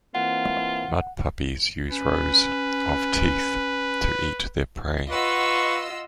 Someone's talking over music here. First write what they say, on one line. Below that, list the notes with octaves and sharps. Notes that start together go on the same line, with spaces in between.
Mudpuppies use rows of teeth to eat their prey.
E3 A#3 C4 F4 F#5
C#4 B4
F4 B4 D#5 F#5 C#6 E6